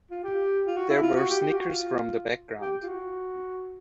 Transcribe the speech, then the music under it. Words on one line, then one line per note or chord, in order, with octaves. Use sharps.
There were snickers from the background.
F4
G4
F4
F#4
E4
F4
F#4
G4
G4
F4
F#4
F4
G4
F4
F#4